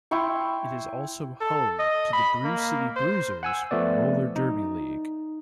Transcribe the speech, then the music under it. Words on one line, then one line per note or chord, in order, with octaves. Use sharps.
It is also home to the Brewcity Bruisers roller derby league.
E4 G5 C6 C#6
A4
D#5
B5
A#3
C5
F#5 G#5 E6
F3 A3 B3 D5
D#4